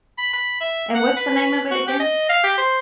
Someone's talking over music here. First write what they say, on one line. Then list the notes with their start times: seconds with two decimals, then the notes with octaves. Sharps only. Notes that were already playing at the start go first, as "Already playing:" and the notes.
And what's the name of it again?
0.18 B5
0.33 B5
0.61 E5
0.95 F#5
1.17 B4
1.71 F#4
1.88 G4
1.99 D#5
2.29 F5
2.44 G4
2.58 C5